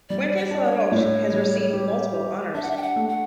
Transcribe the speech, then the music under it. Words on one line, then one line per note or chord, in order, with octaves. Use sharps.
Fuentes La Roche has received multiple honours.
G3 D5
D5
D4
C#5
A2
G3
G4
G4
D4 E5
F#5
E5
G5
F#5
A3
F#5